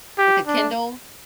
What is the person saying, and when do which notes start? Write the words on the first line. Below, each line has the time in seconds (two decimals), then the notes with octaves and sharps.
Like a Kindle?
0.18 G4
0.47 D4